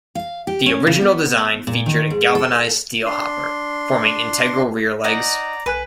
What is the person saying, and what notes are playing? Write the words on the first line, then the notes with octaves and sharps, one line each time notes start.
The original design featured a galvanised steel hopper, forming integral rear legs.
F5
G4
C#4
C#3
B3
A#2
D#3
G#2
A4
D4 C6
D#4 D5 F#5 A#5
B1 B4 G#5 F#6